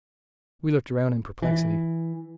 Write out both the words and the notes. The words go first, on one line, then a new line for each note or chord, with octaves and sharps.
We looked round in perplexity.
E3